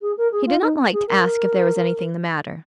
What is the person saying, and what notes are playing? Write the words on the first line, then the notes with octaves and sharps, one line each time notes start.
He did not like to ask if there was anything the matter.
G#4
A#4
G#4
F4
D#4
G#4
A#4